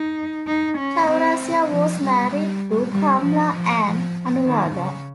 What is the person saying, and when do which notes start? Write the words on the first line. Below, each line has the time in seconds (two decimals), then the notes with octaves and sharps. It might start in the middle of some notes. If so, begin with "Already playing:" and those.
Chaurasia was married to Kamla and Anuradha.
Already playing: D#4
0.47 D#4
0.78 C#4
1.09 C4
1.70 F3
2.00 G3
2.31 G3
2.92 G3
3.22 F3
3.53 F3
3.84 F3
4.45 D#3
4.75 C#3